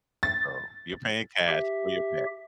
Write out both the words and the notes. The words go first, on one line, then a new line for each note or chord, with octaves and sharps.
So, you're paying cash for your pet.
A6
G4 E5